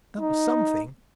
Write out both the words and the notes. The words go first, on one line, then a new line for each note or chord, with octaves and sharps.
That was something.
D#4